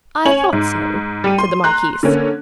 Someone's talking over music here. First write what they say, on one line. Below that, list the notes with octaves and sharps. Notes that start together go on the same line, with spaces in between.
"I thought so," said the marquise.
C#4 C#5 G#5 F#7
G#2
G3 D#7
C6
A#5 C6 F#6
D3 A#3 C#4